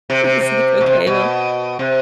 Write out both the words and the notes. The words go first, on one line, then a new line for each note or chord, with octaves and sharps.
I was like, “Okay, well.”
C3
C3
C3
B2
C3
B2
C3